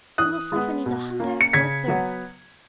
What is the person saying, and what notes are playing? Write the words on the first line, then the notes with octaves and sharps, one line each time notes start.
You will suffer neither hunger nor thirst!
E3 D#6 F#6
G#3 B3
B2
A#3 C#4
C#7
C#3 G#6 B6
F#3 B3